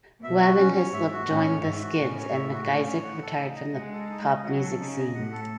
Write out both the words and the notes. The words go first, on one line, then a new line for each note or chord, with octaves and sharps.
Webb and Hyslop joined The Skids, and McIsaac retired from the pop music scene.
B2 E5
F#4
C#4
C#5
G#2 E5
F#4
A2 C#4
C#5
G#2 E5
F#4
A2 C#4
C#5
E5
F#4
C#4
C#5
F#5
A4
D#4
D#5
G#3 F#5
A4
D#4
D#5
F#3 F#5
A4
C#3 D#4
D#5
A2 F#5
A4